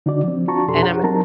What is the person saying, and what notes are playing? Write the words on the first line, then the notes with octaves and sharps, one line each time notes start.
and I'm a
D3 D4 D#4 F#4 D5
F3 C4
D4 F4 F#4 A5 A#5 C#6
F2 B2 D4 G4 A4 C6
G4 G#4 C#5 F#5 A#5
F#3 C4 D#4 A#4 A5 A#5